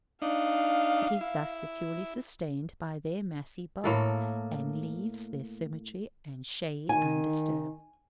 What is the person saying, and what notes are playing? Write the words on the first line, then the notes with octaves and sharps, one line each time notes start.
It is thus securely sustained by their massy bulk, and leaves their symmetry and shade undisturbed.
D4 D#4 F5
E4
A2 A#3 A4
D#3 D#4 G#5